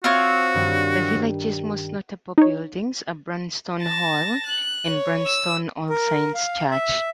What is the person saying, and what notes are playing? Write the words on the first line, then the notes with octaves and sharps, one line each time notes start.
The village's most notable buildings are Branston Hall and Branston All Saints' Church.
C4 F4 F#4 C#5
G2 D#3 G3
D#4 C#5
A5 A#6
F#6
C#5
E6
A#4
F5
E5